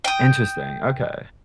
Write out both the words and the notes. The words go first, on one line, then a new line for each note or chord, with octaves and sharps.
Interesting, okay.
G5 D#6